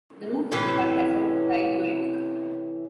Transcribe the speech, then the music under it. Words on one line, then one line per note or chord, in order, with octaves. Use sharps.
The root is regarded as a diuretic.
A2 C3 E3 C#4